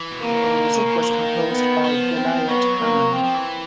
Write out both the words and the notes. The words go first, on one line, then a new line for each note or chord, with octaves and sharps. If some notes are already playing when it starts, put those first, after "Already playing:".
The music was composed by Vilayat Khan.
Already playing: E3
B2
C3 A#3
C#3
D3
D#3
D3
C#3
C#3
D#3
F3
D3
D#3
B3
F3
C4
F#3 B3
A#3
F3 C4
F3
E3